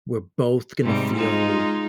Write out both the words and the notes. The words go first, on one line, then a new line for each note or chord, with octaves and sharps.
we're both gonna feel
G#2 C3 G3
G#3 D#4 F4